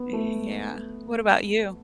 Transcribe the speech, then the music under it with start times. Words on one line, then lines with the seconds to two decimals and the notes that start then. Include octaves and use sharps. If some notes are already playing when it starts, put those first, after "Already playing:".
y-yeah, what about you?
Already playing: B3
0.13 A3